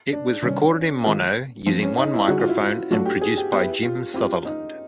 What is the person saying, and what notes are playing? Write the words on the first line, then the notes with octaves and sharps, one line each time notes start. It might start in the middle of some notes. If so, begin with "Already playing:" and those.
It was recorded in mono using one microphone and produced by Jim Sutherland.
D4
C3 D#3 G3 C#4
D#3 G#3 C4 F4 A#4
F3 A3 C4
C#4
D#4
E4
D3 G3 C4 D#4 F#4 G#4
F4
E4
F4
F#3 A3 D4 F4 F#4 A4
G4
G#4
G4
B3 E4 G4 G#4 B4 E5
F4
C4 E4 F4 G4
D#4